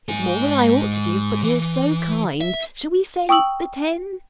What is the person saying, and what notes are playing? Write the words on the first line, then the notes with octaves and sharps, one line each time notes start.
It's more than I ought to give, but you're so kind--shall we say the ten?
G#2 G#5
E3
E5
G5 C#6 D#6 E6 F#7